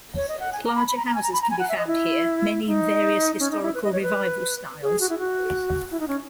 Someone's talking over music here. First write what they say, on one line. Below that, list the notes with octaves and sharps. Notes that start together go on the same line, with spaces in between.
Larger houses can be found here, many in various historical revival styles.
C#5
D#5
F#5
G#5
A#5
B5
B5
A#5
A#5
G#5
A#5
B5
A#5
G#5
F#5
E5
D#5
E4
D#4
C#4
D#4
E4
B4
D#5
C#5
B4
G#4
F#4
E4
F#4
E4
D#4
C#4